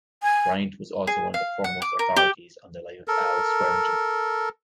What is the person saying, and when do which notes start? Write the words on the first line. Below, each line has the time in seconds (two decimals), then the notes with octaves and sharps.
Bryant was also one of the foremost authorities on the life of Al Swearengen.
0.23 G#5
1.07 G#4
1.34 F5
1.64 F#5
1.82 D6
1.99 A#4
2.16 G4
3.08 A4 A#4